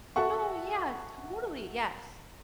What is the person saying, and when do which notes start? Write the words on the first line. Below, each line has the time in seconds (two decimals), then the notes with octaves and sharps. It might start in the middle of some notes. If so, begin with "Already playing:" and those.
No, yeah, totally, yes.
0.16 F#4 A4 E5 F#5 C#6